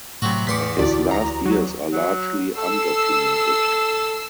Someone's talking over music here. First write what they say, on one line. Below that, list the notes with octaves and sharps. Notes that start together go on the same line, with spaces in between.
His last years are largely undocumented.
A2 C3 F#3 F#4
E2 A2 B4 C6 D6 B6 C#7
D2 E4 F#4 G4 D5
A#5
F#3
F#3
A4 E6 C7